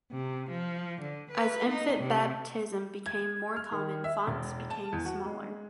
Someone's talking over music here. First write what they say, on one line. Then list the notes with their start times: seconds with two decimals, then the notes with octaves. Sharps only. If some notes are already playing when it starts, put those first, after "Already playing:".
As infant baptism became more common, fonts became smaller.
0.11 C3
0.50 F3
1.01 D3
1.30 B4
1.69 D#4
1.99 C3
3.06 G#6
3.56 F6
3.72 D#3
4.04 E5
4.27 E1
4.70 A5
4.92 E2
5.05 F#4
5.25 G#3